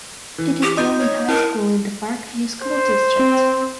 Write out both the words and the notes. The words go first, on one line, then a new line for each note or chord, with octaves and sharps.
It is the only high school in the Parkview School District.
E3
G4
D#4 F4 D#6 G6
C#5
E4 A#4
C5
C4